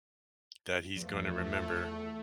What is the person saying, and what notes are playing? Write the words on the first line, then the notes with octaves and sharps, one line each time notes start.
that he's gonna remember
E2 F3 A3